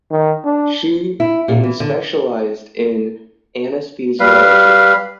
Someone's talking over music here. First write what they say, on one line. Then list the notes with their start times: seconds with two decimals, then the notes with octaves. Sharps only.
She in specialized in anesthesiology.
0.11 D#3
0.45 D4
1.20 E4
1.48 A#2
1.64 E3
1.80 D3
4.20 G3 B4 F5